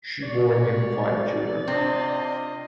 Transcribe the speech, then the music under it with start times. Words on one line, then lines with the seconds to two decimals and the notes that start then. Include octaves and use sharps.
She bore him five children.
0.23 G4 C#5 D5
1.68 C3 C4 D4 F4 D#5